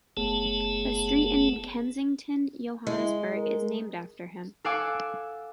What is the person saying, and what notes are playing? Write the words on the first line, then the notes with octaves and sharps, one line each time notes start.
A street in Kensington, Johannesburg is named after him.
F#1 A3 B3 G#4 A5
G#3 E4
A#4
A4 F5 F#5 G#5 D6 E6